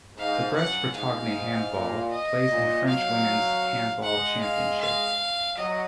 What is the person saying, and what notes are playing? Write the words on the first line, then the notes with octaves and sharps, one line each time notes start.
The Brest Bretagne Handball plays in French Women's Handball Championship.
G#2 F5
F#2 F#5
G#2 F5
A#2
D#5
A#2
F#3 F5
G#3 F#5
F5
F5
F#3 D#5